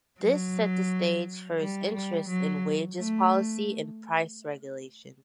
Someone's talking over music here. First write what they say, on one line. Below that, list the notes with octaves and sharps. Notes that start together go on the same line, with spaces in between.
This set the stage for his interest in wages policy and price regulation.
F#3
G3
G3
F#3
A3